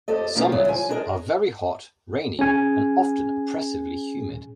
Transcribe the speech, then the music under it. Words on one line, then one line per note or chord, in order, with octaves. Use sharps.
Summers are very hot, rainy and often oppressively humid.
F2 G4 A4 D#5
B2 F3 A#3 C#4 F4 G4
C#3 E3 F#3 G3
F3 G#5
D4 E4 G#4 A#4 D#5
C#4 G#4 G#5